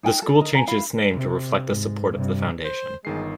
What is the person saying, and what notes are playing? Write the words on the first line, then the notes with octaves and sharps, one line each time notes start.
The school changed its name to reflect the support of the Foundation.
D#4 G5 G#5
A4
A#4 D#5
G#5 A#5
E4 F5 B5
C3
G#2
G2 C3
C5
G1 D#3 G#3 C7